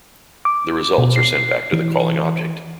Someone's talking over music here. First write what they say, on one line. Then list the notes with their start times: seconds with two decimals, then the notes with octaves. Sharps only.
The results are sent back to the calling object.
0.45 D6
0.98 B2
1.16 C7
1.73 E3